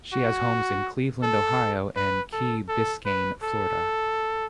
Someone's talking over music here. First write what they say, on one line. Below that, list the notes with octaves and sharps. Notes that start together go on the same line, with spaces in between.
She has homes in Cleveland, Ohio, and Key Biscayne, Florida.
F#4
A4
B4
A4
A4
B4
A4